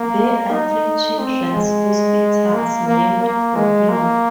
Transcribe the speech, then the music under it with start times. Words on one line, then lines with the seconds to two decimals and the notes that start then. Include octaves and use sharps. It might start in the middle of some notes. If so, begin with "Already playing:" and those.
There are three children's hospitals named for him.
Already playing: A#3
0.50 D#4
1.19 C4
1.53 G#3
2.54 A#3
2.88 A#3
3.22 A#3
3.56 G#3
3.89 A#3